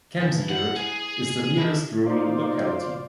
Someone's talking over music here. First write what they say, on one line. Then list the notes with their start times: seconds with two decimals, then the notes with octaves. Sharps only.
Kemsiyurt is the nearest rural locality.
0.19 E3 E4 A5
0.49 E4 C5 F#5
0.76 G#4
1.56 D4 E4 G4
2.06 D#4 F4 C5 D5